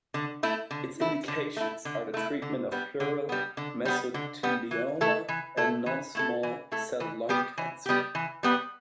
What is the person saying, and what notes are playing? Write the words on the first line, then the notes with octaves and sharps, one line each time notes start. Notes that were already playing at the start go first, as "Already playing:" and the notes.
Its indications are the treatment of pleural mesothelioma and non-small cell lung cancer.
D3
A3 E4
D3
A3 E4
D3
A3 E4
D3
A3 E4
D3
G3 B3
D3
G3 B3
D3
G3 B3
D3
G3 B3
E3
A3 E4 A4
E3
A3 E4 A4
E3
A3 E4 A4
E3
A3 E4 A4
E3
G3 B3 G4
E3
G3 B3 G4
E3
G3 B3 G4